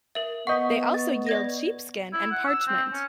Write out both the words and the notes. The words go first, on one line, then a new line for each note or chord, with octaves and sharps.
They also yield sheepskin and parchment.
A#4 E5
B3 D#5 F#5 C#6 G6 B6
A6
D5 G#6 A#6
E4
F#5
E6
C4
C#4